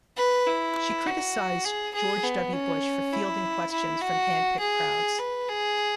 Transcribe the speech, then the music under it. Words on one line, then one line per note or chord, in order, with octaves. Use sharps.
She criticized George W. Bush for fielding questions from hand-picked crowds.
B4
E4
F#4
G#4
G#4
B3
C#4
E4
E4
F#4
G#4
B4
G#4